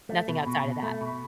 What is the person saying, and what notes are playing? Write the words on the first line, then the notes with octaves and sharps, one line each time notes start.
nothing outside of that.
A3
B2
B2
B2
A3
B2